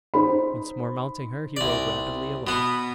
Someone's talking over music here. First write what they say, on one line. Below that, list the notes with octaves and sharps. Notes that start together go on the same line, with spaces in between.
Once more mounting her, he rode rapidly away.
D#4 C5 B5
C2 D5
B2 B3